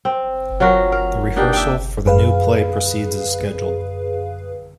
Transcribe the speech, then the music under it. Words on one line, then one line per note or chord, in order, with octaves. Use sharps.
The rehearsal for the new play proceeds as scheduled.
C4
F#3 F4 F#4 A#4
A#4
A#3 D4 D#4 G4
E5 G5
F#2 G#4 B4 F5